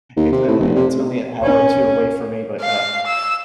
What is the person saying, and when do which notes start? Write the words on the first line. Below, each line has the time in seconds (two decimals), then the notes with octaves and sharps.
It's only it's only an hour or two away from me, but, uh,
0.17 D#2
0.32 C3
0.48 A2
0.60 F1
0.76 C3
1.43 C#4
2.61 F5
3.06 E6